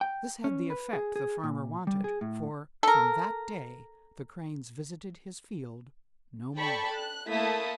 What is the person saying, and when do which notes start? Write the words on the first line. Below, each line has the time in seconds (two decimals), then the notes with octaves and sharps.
This had the effect the Farmer wanted, for from that day the Cranes visited his field no more.
0.01 G5
0.44 C#4
0.70 B4
0.93 G#4
1.16 G#4
1.44 A#2
1.87 G3
2.04 G#4
2.21 A2
2.83 A4 A#4
6.56 A4 D5 G5 A5 B5 C#6
6.92 F#6
7.29 A3 A#3 E4 A5 D#6 B6